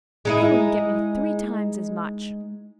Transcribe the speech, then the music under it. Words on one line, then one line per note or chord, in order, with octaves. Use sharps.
Go and get me three times as much!'
G#3 D#4 E4